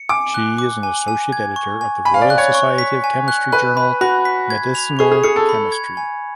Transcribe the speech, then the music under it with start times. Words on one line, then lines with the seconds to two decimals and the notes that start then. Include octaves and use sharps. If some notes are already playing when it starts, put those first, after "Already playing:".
She is an Associate Editor of the Royal Society of Chemistry journal "Medicinal Chemistry".
Already playing: C#7
0.09 G#5 D6
0.34 F#6
0.58 D6
0.83 G#5
1.08 G#5
1.32 G#6
1.56 C#6
1.81 G#5
2.05 G#5 B5
2.14 F5
2.22 D5
2.30 F#6
2.38 C#5
2.55 C#6
2.78 B6
3.04 G#5
3.28 F#6
3.52 B4 F#6
3.77 B5
4.01 F#4 B5
4.25 B6
4.50 G#6
4.75 F7
4.99 G#4 C#6
5.12 G#4
5.24 G#4 C#7
5.36 A4
5.49 B5
5.72 G#6
5.97 G#5